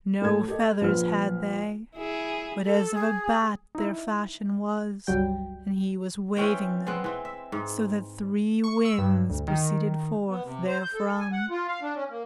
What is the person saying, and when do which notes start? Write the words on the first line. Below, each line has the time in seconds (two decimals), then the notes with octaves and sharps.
No feathers had they, but as of a bat Their fashion was; and he was waving them, So that three winds proceeded forth therefrom.
0.22 A2 A4 G#6
0.48 G4 A4 D#5
0.81 A#1 F3 B4 F6
1.96 E4 G#4
2.65 A4
2.94 G#4
3.75 D#4 E4
5.07 G1 C#2 F#3 G3 G5
6.37 E3 C4 C#4 G5
6.87 G#3 B3 C4
7.04 E3 C4
7.25 E5
7.52 G#2
8.64 C#6
8.85 E6
8.98 G2
9.30 D2
9.48 D#3
10.29 B3
10.44 C3
10.67 C5
10.82 G6
10.94 A4
11.20 G#5
11.32 F#5
11.50 F4
11.68 F5
11.82 D4
11.95 C#4
12.09 A#3